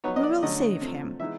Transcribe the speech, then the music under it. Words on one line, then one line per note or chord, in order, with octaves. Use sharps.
We will save him.
F#3 B3 D#4 C#5
D#5
D5
D3 F#3 A3 C#4 D#5
C3 F3 A3
E3 G#3 B3 D#4 E5